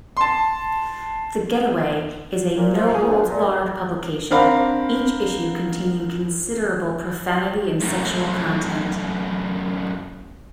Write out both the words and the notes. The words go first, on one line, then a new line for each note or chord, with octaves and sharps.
The "Getaway" is a no-holds-barred publication, each issue containing considerable profanity and sexual content.
A5 C6
A#2
F3
G#4
D2
A#2
C4 D4 A#4 F5 F#5 B5
F#2 A2